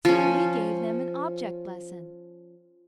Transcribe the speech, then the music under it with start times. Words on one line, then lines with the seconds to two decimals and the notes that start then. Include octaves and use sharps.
So we gave them an object lesson.
0.05 F3 C#4